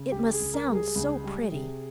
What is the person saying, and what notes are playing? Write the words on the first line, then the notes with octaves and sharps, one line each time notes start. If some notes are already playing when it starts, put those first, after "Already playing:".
"It must sound so pretty!"
Already playing: C#3
C#2 G4
G#4
C#2
A#4
G3
G#4
C#2
G3
C3